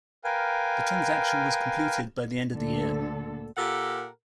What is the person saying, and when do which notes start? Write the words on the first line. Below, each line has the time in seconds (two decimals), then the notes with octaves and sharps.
The transaction was completed by the end of the year.
0.24 A#4 B4 F5 G5 G#5
2.54 D2 A#2 D3 A4
3.57 A#2 G4 A4 A#4 F#5